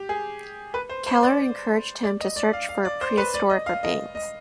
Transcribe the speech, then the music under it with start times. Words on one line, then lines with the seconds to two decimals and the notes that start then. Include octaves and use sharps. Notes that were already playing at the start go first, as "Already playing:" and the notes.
Keller encouraged him to search for prehistoric remains.
Already playing: G4
0.09 G#4
0.74 B4
0.89 C5
1.06 C5
1.23 D5
2.03 D5
2.20 D#5
2.36 D5
2.53 F5
2.69 F5
2.85 D5
3.01 C5
3.17 B4
3.34 D5
3.50 D#5
3.66 F5
3.83 D#5
4.15 D#5